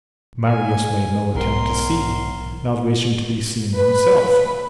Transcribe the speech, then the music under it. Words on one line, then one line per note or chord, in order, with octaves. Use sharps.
Marius made no attempt to see, not wishing to be seen himself.
G#5
B1 G#2 A#4 C6
B4